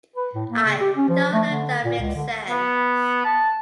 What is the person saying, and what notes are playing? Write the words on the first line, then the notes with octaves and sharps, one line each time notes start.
I don't know if that makes sense.
B4
A2
A#3
C#3
G4
C#4
F3
A3
D3
A#2
C#2
D3
B3
A5